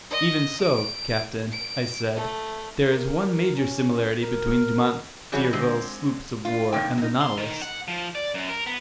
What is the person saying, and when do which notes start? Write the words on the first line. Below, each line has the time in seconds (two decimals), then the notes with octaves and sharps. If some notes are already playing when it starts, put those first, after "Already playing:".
"Even so, captain," I said, "there is one major similarity between Dumont d'Urville's sloops of war and the Nautilus."
0.11 D#5
0.60 D7
1.52 D7
2.16 A3
2.92 A#4
3.57 C#4
4.23 A#4
5.32 E3 G3 F#4 G#4 C#5
5.53 D3 G#3 C4
6.45 F4
6.72 C3 D#3 A#3 G5
6.98 F#3 D#4
7.21 C6
7.37 D#3
7.62 F#5
7.88 F3
8.15 D5
8.34 F#2
8.49 A#4
8.66 B3